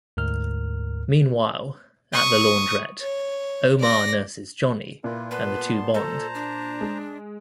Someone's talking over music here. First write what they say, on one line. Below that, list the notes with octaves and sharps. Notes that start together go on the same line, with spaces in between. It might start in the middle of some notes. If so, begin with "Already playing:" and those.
Meanwhile, at the laundrette, Omar nurses Johnny, and the two bond.
D2 G#2 A#4 F6
C#6 D#6
C#5
D5 A#6
A#2 E4 F4 B4
B3 B4 A5 C6
A4 C5 A5 A#5
D4
G#3